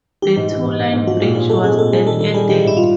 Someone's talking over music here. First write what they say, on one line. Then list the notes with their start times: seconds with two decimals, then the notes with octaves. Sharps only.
The two-line bridge was then added.
0.22 E3 G4
0.36 G#2
0.52 E3
0.65 G#2
0.79 G#2
0.93 G#2
1.07 F3 F#4
1.21 A#2 G4
1.35 A#2 G#4
1.49 A3 A4
1.64 C4 G#4
1.79 A#2 A4
1.92 G3 G#4
2.06 D#3 A4
2.20 D#3 A4
2.34 G3 G#4
2.48 D#3 G4
2.63 G#2 E4
2.77 G3 F4